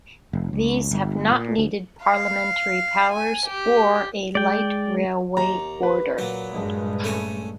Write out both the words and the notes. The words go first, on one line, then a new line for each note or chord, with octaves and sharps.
These have not needed parliamentary powers or a light railway order.
F1
C#2
G1
A#2
D2
F5
G#5
G4
G#3 D5 G5
D#2 A#5
B4
A#2 F#3
A#1 G2 G#3
A3 C#4 G#5